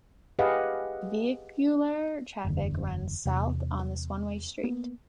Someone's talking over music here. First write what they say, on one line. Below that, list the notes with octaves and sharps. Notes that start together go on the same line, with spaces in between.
Vehicular traffic runs south on this one-way street.
G4 G#4 B4 D#5 F5 F#5
F#1 E2 D3
E2 C3
A#3 B3